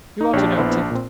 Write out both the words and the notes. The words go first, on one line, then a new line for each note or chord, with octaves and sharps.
You ought to know Tifto.
D#4
A#1 D4 G4 C#5
B3 E4 C5
A#2 C4